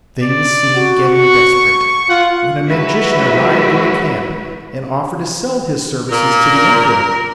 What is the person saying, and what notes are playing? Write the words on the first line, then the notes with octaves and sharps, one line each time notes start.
Things seemed getting desperate, when a magician arrived in the camp and offered to sell his services to the emperor.
D5
F#4
C#6
F4 F#5
F#3 G#3 E4 F#4 B4 E5
A#2 A#4